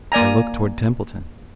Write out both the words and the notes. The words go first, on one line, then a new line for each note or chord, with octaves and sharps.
I looked toward Templeton.
A#3 D5 G#5 A#5